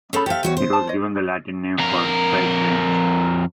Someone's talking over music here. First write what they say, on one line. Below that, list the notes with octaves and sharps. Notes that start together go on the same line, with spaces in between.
It was given the Latin name for "Straight Range".
A3 C#4 G#4 A4 B5
G4 A4 C5 E5 F5
E2 F#4 C#5
C5
A5
C#5 D#5
F2 A#4